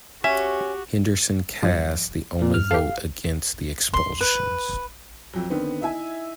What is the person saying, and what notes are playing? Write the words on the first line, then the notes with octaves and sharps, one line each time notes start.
Henderson cast the only vote against the expulsions.
C#4 F#4 G4 E5
G2 F3
A#2
G2 F6
G4 A4 F5
C6
B4
F2 F#3
D3 D#3 B3 C4
D#4 E4 E5 G#5